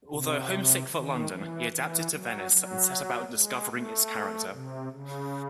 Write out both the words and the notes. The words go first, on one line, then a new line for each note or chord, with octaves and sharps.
Although homesick for London, he adapted to Venice and set about discovering its character.
C3
D#3
E3
E3
F#3
F#3
G#3
A3
C3
C#3